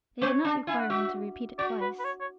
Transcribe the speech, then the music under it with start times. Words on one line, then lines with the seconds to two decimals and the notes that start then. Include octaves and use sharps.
They did not require him to repeat it twice.
0.21 B3 C#5
0.45 D4
0.67 E4 G#5
0.79 F#5
0.90 F#4 E5
1.58 F#4 D5
1.81 B4
1.99 B4
2.04 C#5
2.21 C#5